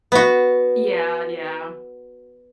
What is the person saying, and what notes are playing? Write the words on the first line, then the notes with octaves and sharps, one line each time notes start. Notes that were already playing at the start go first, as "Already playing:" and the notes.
Yeah, yeah.
B3 F#4